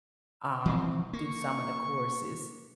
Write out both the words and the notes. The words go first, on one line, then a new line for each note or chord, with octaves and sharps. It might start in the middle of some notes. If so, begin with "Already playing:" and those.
um, do some of the courses.
E3 F3 C4
A#3 C#6